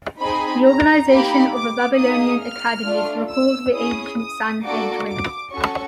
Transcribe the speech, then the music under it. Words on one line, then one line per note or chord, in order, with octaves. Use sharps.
The organization of the Babylonian academies recalled the ancient Sanhedrin.
C4 D#4 G#4 B5
A#5
A#3 D#4 G4 B5
D6
A#3 D#4 G#4 D#6
F6
A3 D4 F4
E6
C#4 E4 G#4 D#6
D#6
A#3 D4 F#4 A4 D6
D6
C#4 F#4 A4 C#6